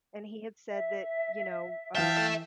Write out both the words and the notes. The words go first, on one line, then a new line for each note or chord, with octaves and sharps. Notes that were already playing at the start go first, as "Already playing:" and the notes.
and he had said that you know, um,
E5
E3 E5 F5 G5 A5 G7
A4 E5